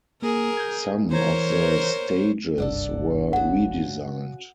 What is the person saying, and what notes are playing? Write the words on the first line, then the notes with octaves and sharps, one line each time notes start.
Some of the stages were redesigned.
A#3 G#4 A#4
G6 G#6
E3 A#4 C5 C#5 A#5 G#6
F#1 C2 G2 D4 A4 D5 F#5
C#3 F#4 F#5